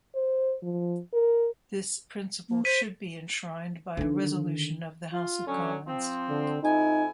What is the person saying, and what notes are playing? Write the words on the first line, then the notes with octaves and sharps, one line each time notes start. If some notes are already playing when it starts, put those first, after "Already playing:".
This principle should be enshrined by a resolution of the House of Commons.
C5
F3
A#4
A#3
C5 B6 D#7
D3 D#3
F4
D3 F#3 C#4
F3 C4
D3
F2 D#4 E4 G#5